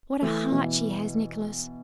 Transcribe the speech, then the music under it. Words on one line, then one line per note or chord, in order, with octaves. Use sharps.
What a heart she has, Nicholas!
E3 A3
B2 E3